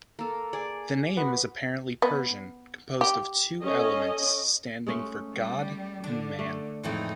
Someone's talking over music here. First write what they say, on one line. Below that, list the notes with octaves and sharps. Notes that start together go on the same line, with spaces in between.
The name is apparently Persian, composed of two elements standing for "god" and "man".
A#3 A4
G#4 D5
B3 F#4
B3
G4
C#4 A4 D#5
G#3 A3 C#4
G3
D3 D4
A3
F2 A2 E3 G#3 D#4